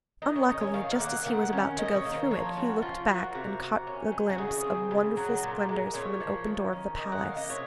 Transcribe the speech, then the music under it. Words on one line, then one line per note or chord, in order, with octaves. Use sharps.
Unluckily, just as he was about to go through it he looked back and caught a glimpse of wonderful splendours from an open door of the palace.
D#3 D#4
C#4
C#4 D#4
C#5
D#3 F5
F5
A#3 F#5
D#3 F#5
C#4
D#3 D#5
C#5
A#3
C5
F3 C#5
C#4 F#4
F3 F4
A#3 F#4
C3 F#4
A#3
C#4
D#3
F#4
C#3 G#4
C4
C#3
F#3
A#2
G#3
A#2 C#5
F3
D#3
C#4
D#3 D#5
F#5
A#3 F5
D#5
C3 C#5